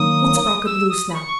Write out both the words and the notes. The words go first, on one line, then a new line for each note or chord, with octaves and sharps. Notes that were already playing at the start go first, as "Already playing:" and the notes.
What's broke loose now?
Already playing: D#3 F#3 A#3 D#4 D#6
E6
D#6
B5
C#6